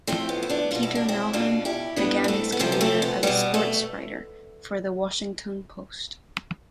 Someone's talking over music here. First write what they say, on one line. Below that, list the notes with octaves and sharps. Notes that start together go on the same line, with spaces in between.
Peter Mehlman began his career as a sportswriter for "The Washington Post".
A2 F3 A3 C4
B3
E4
B3 D4
B2 G3 F4
E4
D4
C4 E4
B2 G3 D4 F4
E4 G4
A2 G3 B3 D4
D4
A3 C4
B3
C3 F3 A3 C4
B3
A3 C4
B3
B2 G3 B3
A3